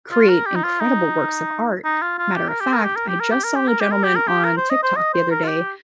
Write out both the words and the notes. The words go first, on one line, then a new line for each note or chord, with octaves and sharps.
create incredible works of art. Matter of fact, I just saw a gentleman on TikTok the other day
F4
A#4
G4
D#4
F4
D#4
D#4
F4
F4
G4
A#4
G4
A#4
G4
A#4
G4
A#4
G4
A#4
G4
A#4
G4
A#4
G4
A#4
G4
A#4
C5
D#5
C5
D#5
C5
A#4
F4
G4